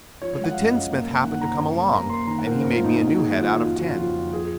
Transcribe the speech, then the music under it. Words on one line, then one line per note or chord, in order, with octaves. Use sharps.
But the tinsmith happened to come along, and he made me a new head out of tin.
F3 C#5
C#5
G#3 F#5
F#2 F5
D#5
F#2 F5
A#3
A#3
D#3 F#5
C3 A#5
F#2
A#3
A#3 A#5
A#3 C6
D#3 A#5
F#5
A#3 A#4
C5
F#2 A#4
F4
A#3
D#4
G#2 D#4
F#4
D#3 G#4
D#3 F#4
F4
F#3
D#4
F2 F4
F#4
C#3
F4
F2 F4
F2
F3 G#4